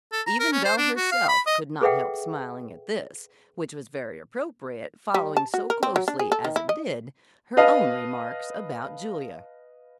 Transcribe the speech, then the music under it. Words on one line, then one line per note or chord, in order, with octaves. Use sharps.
Even Belle herself could not help smiling at this, which was very appropriate, following so closely, as it did, her own remarks about Julia.
A4
A#5
A#4
C#4
C5
D4
F#4
F5
B5
D#5
G#4 A4 B4 E5 F#5 G5
G3
A5
F#4
A#4
C4
F#3
D4
G#4
A4
D#3
E4
D#5
B4 D#5 F5 A5